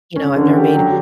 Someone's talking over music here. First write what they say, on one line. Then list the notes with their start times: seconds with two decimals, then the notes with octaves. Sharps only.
you know, I've never made
0.16 C#4
0.36 D3
0.56 G4
0.75 F#3